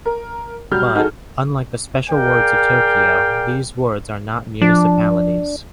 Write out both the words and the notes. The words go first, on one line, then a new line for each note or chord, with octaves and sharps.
But, unlike the Special wards of Tokyo, these wards are not municipalities.
A#4
F#3 G3 F6 G6
D#4 F#4 G#4 A4
G#4 A#4 D5 F5 G5
F3 D4